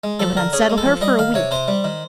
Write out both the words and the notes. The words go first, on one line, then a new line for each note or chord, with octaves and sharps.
It would unsettle her for a week.
G#3
F3 A4
D3 A#4
C#4 G#4
G#3
A4
F3
G3 D#5
D#3 F5
C3 C#5
C3 C5
G3
D#3